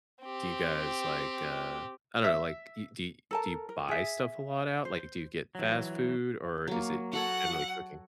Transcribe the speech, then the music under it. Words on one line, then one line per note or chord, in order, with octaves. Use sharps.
do you guys, like, uh, I don't know. Like, you do do you buy stuff a lot out? Like, do you get fast food, or is it generally cooking?
C4 G4
E5
A4 A#4 A5
A#4
G#4 E5
C5
E3 F#3
F#3 A#3
F#4 A4 C#5 F#5